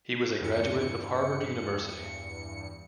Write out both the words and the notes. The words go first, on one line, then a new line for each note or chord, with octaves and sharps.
He was a graduate of Harvard University.
E2 G2 C#7